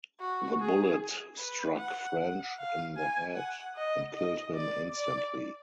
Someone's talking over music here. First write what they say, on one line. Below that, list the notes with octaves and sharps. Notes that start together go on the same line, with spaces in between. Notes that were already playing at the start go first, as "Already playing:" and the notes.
The bullet struck French in the head and killed him instantly.
F#4
G#4
B4
F#5
F#5
F5
G#5
F#5
D#5
D#5
D5
D5